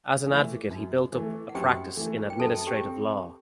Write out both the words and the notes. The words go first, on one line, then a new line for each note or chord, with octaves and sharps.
As an advocate he built up a practice in administrative law.
E3 A3
F#2
E3 A3
F#5
F#2 G4 G5
E3 A3
G5
F#2 A4 A5
G4 G5
C4